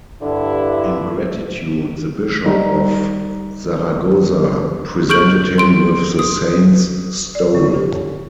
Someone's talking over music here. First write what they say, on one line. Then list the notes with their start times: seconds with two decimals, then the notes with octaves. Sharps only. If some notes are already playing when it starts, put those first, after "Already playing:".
In gratitude the bishop of Zaragoza presented him with the saint's stole.
0.22 G2 D3 E4
2.45 G3 D#4
5.09 G#4 C#6 F6 G6 D7 F#7
5.58 C6 D7
6.19 D#6
7.35 D5
7.55 D3
7.74 G4